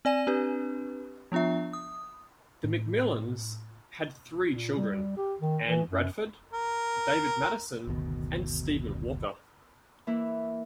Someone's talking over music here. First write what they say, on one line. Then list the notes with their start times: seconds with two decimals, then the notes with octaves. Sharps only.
The McMillans had three children: Ann Bradford, David Mattison and Stephen Walker.
0.05 C4 D5 G#5 D#7
0.27 C4 D4 G4 B4
1.32 F3 B3 D4 F4 E5
1.73 D#6
2.64 A2
4.51 A#2
4.77 G3
5.17 G4
5.41 D#3
5.67 E3
5.90 F#2
6.53 A#4
7.87 F#1 D2 B2 D#3
10.07 E3 A#3 E4